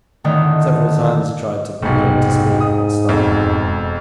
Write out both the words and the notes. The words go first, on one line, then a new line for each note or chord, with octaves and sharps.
Several times he tried to begin to speak, but stopped.
E2 A2 D3 D#3
F1 B1 G#2
D#6
E1 F2